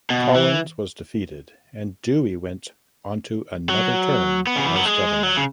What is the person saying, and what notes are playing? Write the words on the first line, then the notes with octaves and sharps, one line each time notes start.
Collins was defeated and Dewey went onto another term as Governor.
B2
E3
F#3
B3
C#3
E3
F#3
G#3
F#3
C#3